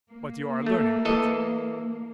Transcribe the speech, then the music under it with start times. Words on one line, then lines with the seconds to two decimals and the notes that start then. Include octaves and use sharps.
"But you are learning quickly."
0.12 A#3
0.66 A3
1.05 E3 A4 D#5